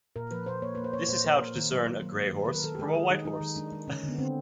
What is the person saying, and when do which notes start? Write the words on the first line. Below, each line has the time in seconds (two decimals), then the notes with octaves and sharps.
This is how to discern a gray horse from a white horse.
0.16 A#2 A#4
0.31 F3 B4
0.46 A#2 C5
0.62 A#3 C#5
0.75 A#3 B4
0.84 C5
0.93 A#3 C#5
1.09 A#2 C5
1.24 A#3 A#4
1.40 A#3
1.55 D#3
1.71 F#3
1.86 A#3
2.02 F#3
2.17 A#3
2.32 D#3
2.45 D#3 B4
2.55 A#4
2.64 D#3 A4
2.75 G4
2.79 G#3 G#4
2.94 D#3 G#4
3.10 D#3 D#4
3.25 G#3 D#4
3.40 D#3
3.56 G#3 D4
3.72 G#3
3.88 D3 C#4
4.04 D3 B3
4.18 D3 C4